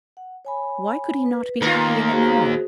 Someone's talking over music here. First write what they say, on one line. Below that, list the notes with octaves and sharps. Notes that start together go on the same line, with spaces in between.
Why could he not be happy in it now?
F#5
C#5 G#5 B5
B4
D#2 F4 A#4
F#4 G#4 C5